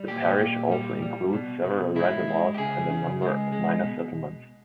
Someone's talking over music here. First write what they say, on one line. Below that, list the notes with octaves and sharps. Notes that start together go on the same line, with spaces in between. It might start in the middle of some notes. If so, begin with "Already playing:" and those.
The parish also includes several reservoirs, and a number of minor settlements.
Already playing: G3
A#2 G4
A#2
G3
G3
B2
B2
G#3 E4
G#3
G4
C#3 G#4
C#3
G#3
G#3
B2